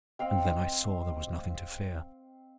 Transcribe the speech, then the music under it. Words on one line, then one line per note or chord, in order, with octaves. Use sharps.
And then I saw there was nothing to fear.
C4 D#5 F5 G5